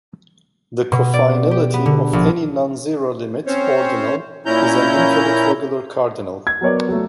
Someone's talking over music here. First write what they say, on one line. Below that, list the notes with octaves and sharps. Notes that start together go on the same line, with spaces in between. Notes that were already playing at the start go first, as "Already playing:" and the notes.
The cofinality of any nonzero limit ordinal is an infinite regular cardinal.
B2
D5
G4
B3
D3
A#1
C4 C#4 C5 C#5
A#2 C#4 E4 A#5 G6
G#6
F#3 B3 A#4 C#5 D5
F#3 A3